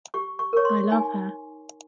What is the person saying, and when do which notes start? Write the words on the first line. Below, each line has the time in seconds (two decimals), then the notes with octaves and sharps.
I love her.
0.14 G4 C#6
0.39 C#6
0.53 A#4 C#5 C#6
0.65 C6
0.91 D#4 G#5